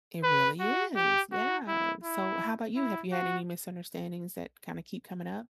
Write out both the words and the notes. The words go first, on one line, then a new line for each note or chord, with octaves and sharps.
It really is, yeah, so how about you, have you had any misunderstandings that kinda keep coming up?
B4
F#4
G4
F#4
E4
E4
E4
F#4